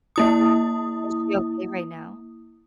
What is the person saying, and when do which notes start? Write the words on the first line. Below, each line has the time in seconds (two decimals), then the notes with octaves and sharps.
Is she okay right now?
0.16 A#3 E4 D#6